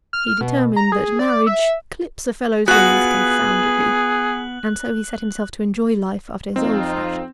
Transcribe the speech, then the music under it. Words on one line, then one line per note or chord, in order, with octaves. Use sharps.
He determined that marriage "clips a fellow's wings confoundedly," and so he set himself to enjoy life after his old fashion.
F6
B2
A#5
G#4
D5
E5
B3 F4 F#4 G#4 F#5 F#6 F#7
F2 C4 D#4 F4